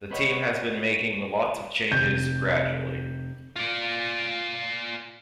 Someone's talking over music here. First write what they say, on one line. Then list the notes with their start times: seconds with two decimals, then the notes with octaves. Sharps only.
The team has been making lots of changes gradually.
0.11 C4 B4 C#5 D#5 F#5
1.92 F1 G6
3.56 F4 D5